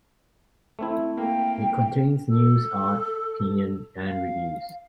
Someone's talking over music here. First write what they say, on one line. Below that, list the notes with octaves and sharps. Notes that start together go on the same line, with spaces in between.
It contains news, art, opinion and reviews.
A3 C4 E4
A#3 G5
A4
F5